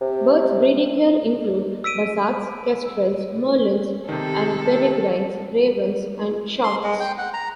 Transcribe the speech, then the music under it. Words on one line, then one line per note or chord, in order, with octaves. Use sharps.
Birds breeding here include buzzards, kestrels, merlins and peregrines, ravens and choughs.
C3
E6 B6 D7 D#7
C3 D#3 G4 A4
C6
G#3
G5
F#5
A#5